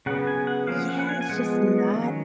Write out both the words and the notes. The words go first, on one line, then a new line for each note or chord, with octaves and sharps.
Yeah, it's just not
C#3 F#3 B3 F#5
G#5
F#5
F3 A#3 C#4 F5
F#5
F#5
G#5
G#5
F3 G#3 B3 F#5
D#3 F#3 C#4